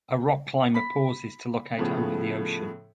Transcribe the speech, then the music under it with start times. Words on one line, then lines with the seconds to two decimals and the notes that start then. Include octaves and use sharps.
A rock climber pauses to look out over the ocean.
0.74 B5 B6
1.78 A2 C#3 F3 A3 B3